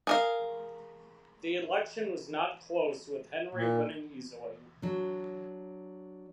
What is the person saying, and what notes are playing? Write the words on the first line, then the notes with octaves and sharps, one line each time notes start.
The election was not close with Henry winning easily.
G#4 A#4 F5
A#2
F#3 D4